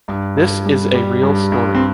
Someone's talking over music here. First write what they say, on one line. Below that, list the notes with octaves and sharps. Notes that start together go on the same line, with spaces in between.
This is a real story.
G2
G2
G3
G3
G2
G2
C4